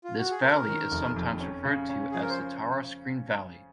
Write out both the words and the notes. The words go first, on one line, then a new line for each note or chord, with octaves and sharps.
This valley is sometimes referred to as the Tara-Skryne Valley.
F4
F#4
G#4
C#4 A#4
D#3
F1
F2
C#4
C#3
C#4
F3 G#4
A#4
C5